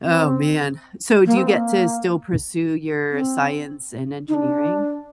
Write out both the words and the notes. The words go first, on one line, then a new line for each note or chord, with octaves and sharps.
Oh, man. So, do you get to still pursue your science and engineering?
C4
A#3
C4
A#3
C4
D#4
D4